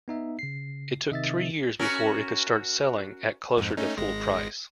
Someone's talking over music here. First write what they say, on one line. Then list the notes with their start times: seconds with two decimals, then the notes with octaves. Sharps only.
It took three years before it could start selling at closer to full price.
0.08 B3 D#4 E5
0.39 C#3 C7
1.11 C3 D#3 D#5 E5 A6
1.79 C#4 F#4 A#4
3.57 F2 G#2
3.77 A3 C#4 D#4
3.98 G#1 G#3 A#6